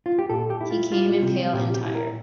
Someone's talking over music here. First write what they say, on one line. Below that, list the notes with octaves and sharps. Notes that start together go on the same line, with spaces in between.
He came in pale and tired.
F4
G4
A#2 A4
G4
E4
F4
G3 F4
C3
A#2 G4
G4
E4
A#4